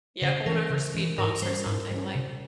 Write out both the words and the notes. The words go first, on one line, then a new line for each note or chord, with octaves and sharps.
yeah, going over speed bumps or something, like
C#3 C5
E3 G#3 C#4 A#4
C#3
E3 G#3 C#4
G#2 A#4
G3 C#4 C5
G#2
G3 C#4
C3